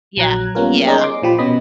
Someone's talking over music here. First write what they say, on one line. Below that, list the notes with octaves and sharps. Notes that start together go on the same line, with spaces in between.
Yeah, yeah.
A#1 F#3 A#5 F#6 G#6
G3 A#3 B3 C#4 F4 A#4
C#4 D#4 G#4 A#4 D5 D#5
C6 D6
A#2 F3 G4 B5
B2 B3 C#4 D#5 B5